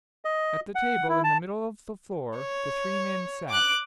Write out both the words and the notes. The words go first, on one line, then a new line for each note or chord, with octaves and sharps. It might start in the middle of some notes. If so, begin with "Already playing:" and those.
At the table in the middle of the floor the three men sat.
D#5
F#5
E4
A5
C#5
D6 F#6